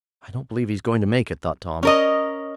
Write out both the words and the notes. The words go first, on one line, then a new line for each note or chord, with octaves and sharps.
"I don't believe he's going to make it," thought Tom.
C#4 A#4 D#5